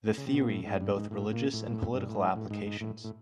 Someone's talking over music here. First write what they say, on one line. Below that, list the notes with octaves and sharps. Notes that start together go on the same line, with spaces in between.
The theory had both religious and political applications.
C#3
C3
B2
A#2
A2
G#2
G2
G#2
A2
A#2
A2
A#2
A2
G2
A2
G#2
A2
G#2
G#2
A2
A2